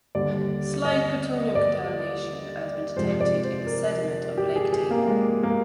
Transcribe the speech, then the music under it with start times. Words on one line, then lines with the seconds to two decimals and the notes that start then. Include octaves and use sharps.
Slight plutonium contamination has been detected in the sediments of Lake Taymyr.
0.15 D#2 D3 G3 D5
0.85 D#5
1.55 D5
2.96 F2 C3 F3 G#3 C5
3.21 D5
3.44 C5
3.66 A#4
4.38 G4
4.56 G#4
4.73 G#4
4.91 A#3
5.08 G#3
5.43 A#3